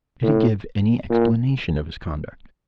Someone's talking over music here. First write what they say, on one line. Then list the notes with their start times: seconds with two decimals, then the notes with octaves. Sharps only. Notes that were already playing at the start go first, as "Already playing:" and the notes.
"Did he give any explanation of his conduct?"
0.23 A2
1.10 A#2